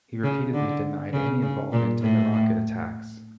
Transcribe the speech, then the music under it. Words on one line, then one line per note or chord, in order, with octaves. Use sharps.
He repeatedly denied any involvement in the rocket attacks.
C#3
D3
C#3
C#3
A#2
A2